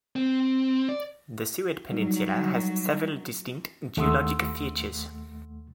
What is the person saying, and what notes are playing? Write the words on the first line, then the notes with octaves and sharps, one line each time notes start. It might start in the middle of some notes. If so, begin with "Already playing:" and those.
The Seward Peninsula has several distinct geologic features.
C4
D5
F#3 G3 D#4
D#2 A3 F#5 C6 D#6 E6